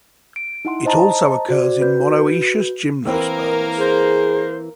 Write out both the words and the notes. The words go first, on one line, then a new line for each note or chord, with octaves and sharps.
It also occurs in monoecious gymnosperms.
D7
D#4 E4 F#5 C6
C5 D#5 A5 A#5
F#4 C5 D5
F#4 B4 G6
E3 A#3 C4 E4 A#4
G#4 C5